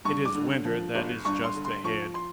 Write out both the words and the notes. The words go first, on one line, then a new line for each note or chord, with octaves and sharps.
It is winter that is just ahead.
G2 C#6
D6
D3
F3
G1
G2 C#6
C6
D3
C6
F3 C#6
C6